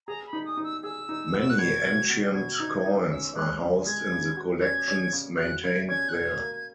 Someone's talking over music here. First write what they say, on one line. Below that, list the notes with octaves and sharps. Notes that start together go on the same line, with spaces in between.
Many ancient coins are housed in the collections maintained there.
G#4 A#5
B5
D#4
D#6
D#4
E6
G#4 E6
D#4
B2
E6
F#6
B2 G#6
B2
B2
B2 G#6
D#4
D#4
C#4 E6
G#3 F#6
C#3
G#3 G#6
C#3
F#4
C#4 G#6
C#4
C#3
F#4 F#6
C#3 G#6
C#4 G#6
F#6
B2 G#6
A#3